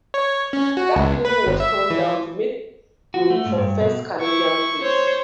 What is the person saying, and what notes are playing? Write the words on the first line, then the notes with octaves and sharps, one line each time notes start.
That building was torn down to make room for First Canadian Place.
C#5
C#4
F#4
C#2
B4
G1
E5
E3
F#4
A3
G#2
G2
B2
E4 C#6
C5 C#5